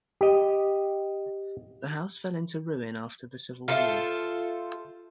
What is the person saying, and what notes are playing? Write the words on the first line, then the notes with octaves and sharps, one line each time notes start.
The house fell into ruin after the Civil War.
G4 D#5
F4 A4 C5 E5